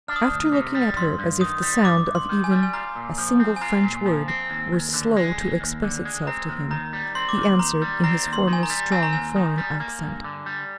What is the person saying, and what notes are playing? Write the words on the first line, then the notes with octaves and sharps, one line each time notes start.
After looking at her, as if the sound of even a single French word were slow to express itself to him, he answered, in his former strong foreign accent.
D4 F6
D#6
F6
D2
C3
G3
G2 C6
G2
D#3 D#6
G3
G2 D6
G2
C6
D#3
G#5
G3
G#5
F4 A#5
A#2
F3
C4
G#5
F4 A#5
A#2
F3
C4
D#2
D#2
D3
G#3
D#2
D#2
D3
G#3
C4 A#5
D#2
D#3 A#5
G3
C4 C6
D6
D#2
C6
D#3 A#5
G3
C4 A#5
D#2
C6
D#3
G#5
A#5
G3
C4 G#5
A#5
D#2 G#5
D#3
G3
A#3
G2
D3
G3